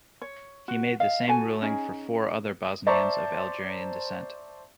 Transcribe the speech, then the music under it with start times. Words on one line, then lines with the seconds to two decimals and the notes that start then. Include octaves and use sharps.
He made the same ruling for four other Bosnians of Algerian descent.
0.22 C#5
0.68 F#4
1.00 D#5 F5
1.28 F#4 A4 G#5
1.62 C#4 D#4 G#4
2.87 C5 D5 E5 A5 A#5 C#6